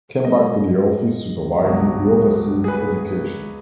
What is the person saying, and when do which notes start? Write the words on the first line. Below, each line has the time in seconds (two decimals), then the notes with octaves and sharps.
Came back to the office supervising the overseas education.
0.25 G#2 F#3 D#5
1.64 C#2 B2 F#3
2.64 G#4
2.68 B4